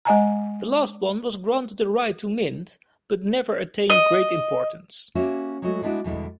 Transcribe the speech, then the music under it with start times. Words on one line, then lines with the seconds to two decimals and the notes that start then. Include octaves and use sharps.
The last one was granted the right to mint but never attained great importance.
0.05 G#3 D#5 G#5 A#5
3.90 D#5
5.15 A#3 C#4 F#4 G4 C#5 E5
5.62 F#3 G#3 A3 F#4
5.82 G3 G#3 B3 D4 E4 F#4
6.04 E2 B2 D3 G3 G#3 E4